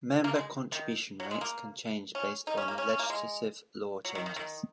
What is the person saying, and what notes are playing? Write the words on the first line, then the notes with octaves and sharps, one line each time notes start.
Member contribution rates can change based on legislative law changes.
A#3
G#3
D#3
F#3
G#3
A#3
C#4
D#4
C#4
A#3
C#4
C#4
A#3
G#3
F#3
D#3
D#3
D#3